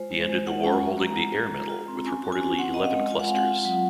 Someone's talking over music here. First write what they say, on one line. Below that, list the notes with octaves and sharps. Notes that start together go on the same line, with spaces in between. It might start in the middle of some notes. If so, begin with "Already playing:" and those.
He ended the war holding the Air Medal with reportedly eleven clusters.
Already playing: G#3 F4 C5
G#3
G#3
F4 F#5
C#4
G#5
F4
G#3 A#5
G#3
G#3
F4
F4
C4
C#4 G#5
F#4
G#5
C#4
C4 F#5
C4 D#5
F5
G#3
F4 G#5
F#5
C4 F5
F#5
F4
F#3